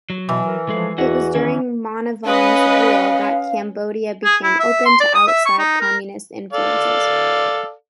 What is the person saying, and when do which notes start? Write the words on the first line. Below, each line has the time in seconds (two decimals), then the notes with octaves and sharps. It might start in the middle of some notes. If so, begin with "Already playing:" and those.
It was during Monivong's rule that Cambodia became open to outside communist influences.
0.10 F#3
0.29 B2 E3
0.46 A#4
0.69 F3 G#3 A3 G#4
0.98 E2 E4 F#4 D#5 F#5
1.34 D#3 E3 C#4 E4
2.26 C#4 B4 D#5 F5
4.25 G#4
4.44 E4
4.60 E5
4.86 C6
5.00 D5
5.15 D#6
5.28 E5
5.46 C#6
5.59 D#4
5.81 A#4
6.53 A4 D5 F5